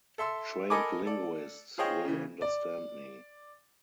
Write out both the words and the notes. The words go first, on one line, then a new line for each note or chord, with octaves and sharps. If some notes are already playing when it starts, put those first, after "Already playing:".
Trained linguists will understand me.
A4 E5 C6 E6
A4 A#4 D#5 G#5 B5 D6
A4 D5
F4 G#4 C5 C#5 D#5 G5
C#3 E3
D5